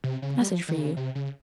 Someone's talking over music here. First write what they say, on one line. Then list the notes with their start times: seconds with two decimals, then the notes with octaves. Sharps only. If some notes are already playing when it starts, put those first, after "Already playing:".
Message for you.
0.04 C3
0.22 C#3
0.41 G3
0.50 F3
0.69 D#3
0.78 C#3
0.97 C3
1.15 C#3